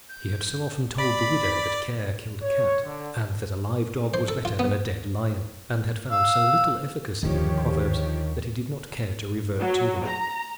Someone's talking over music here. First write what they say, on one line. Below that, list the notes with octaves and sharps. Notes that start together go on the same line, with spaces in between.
He had so often told the widow that care killed a cat, and that a live dog was better than a dead lion; and had found so little efficacy in the proverbs, that he did not care to revert to them.
G6
D5 B5
C#5
D3
C5
A4
F4
B3
F5 E6
D#2 D3 D#3 F3 G4 C#5
F#3
A#5